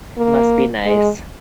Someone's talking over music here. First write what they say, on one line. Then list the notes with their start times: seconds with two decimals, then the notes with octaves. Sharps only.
must be nice.
0.18 A#3
0.85 G#3